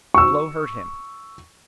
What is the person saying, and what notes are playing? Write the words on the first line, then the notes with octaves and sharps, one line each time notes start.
The blow hurt him.
C#6 E6